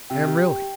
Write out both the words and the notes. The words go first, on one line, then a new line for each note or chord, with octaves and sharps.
Am really.
C3 G5
G4
G5